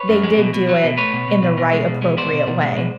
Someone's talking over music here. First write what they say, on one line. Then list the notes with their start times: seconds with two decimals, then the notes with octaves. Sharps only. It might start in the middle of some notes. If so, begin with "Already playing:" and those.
they did do it in the right, appropriate way.
Already playing: B4 C#5
0.09 F#2
0.23 G#3
0.38 B2
0.54 B2
0.69 F#3
0.84 B2
0.98 A3 B4 C#5
1.13 B2
1.28 B2
1.43 B2
1.58 B2
1.73 G#3
1.88 B2
2.02 G#3
2.17 B2 C5 D5
2.33 B2
2.47 B2
2.62 G#3
2.76 B2